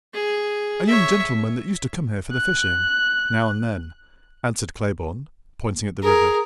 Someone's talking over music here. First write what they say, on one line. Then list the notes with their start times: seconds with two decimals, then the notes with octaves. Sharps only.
"A young gentleman that used to come here for the fishing, now and then," answered Claybourne, pointing at the river.
0.14 G#4
0.87 C#5 E5
2.32 F#6
6.03 G#4 A#4